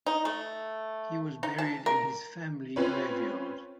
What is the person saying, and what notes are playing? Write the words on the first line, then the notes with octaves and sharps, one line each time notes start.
He was buried in his family graveyard.
D#4
A3
D#4
A5
A#4
C4 C#4 F4 B4 C#5